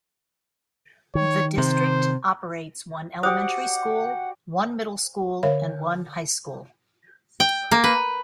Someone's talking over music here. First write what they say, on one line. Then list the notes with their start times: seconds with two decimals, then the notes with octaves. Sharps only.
The district operates one elementary school, one middle school and one high school.
1.15 D#3 C#5
1.58 C3 C5
3.23 F#4 G4 C5 D5 F#5 D#6
5.43 D3 A#4 C#5 E5 F5
7.40 G5
7.71 A#3
7.84 B4